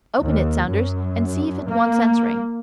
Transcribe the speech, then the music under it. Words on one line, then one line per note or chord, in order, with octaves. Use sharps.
"Open it, Saunders, and see if it wants answering."
D#2
F#2
A#3